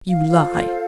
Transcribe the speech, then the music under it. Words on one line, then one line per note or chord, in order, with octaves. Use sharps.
"You lie!"
F5
F4 A4 C5 F5